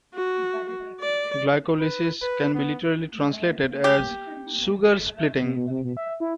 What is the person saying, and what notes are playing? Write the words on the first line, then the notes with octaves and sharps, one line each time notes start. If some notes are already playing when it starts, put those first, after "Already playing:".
Glycolysis can be literally translated as "sugar splitting".
F#4
D5
B4
B4
B3
G4
C3
B2
C3
B2
E5
E4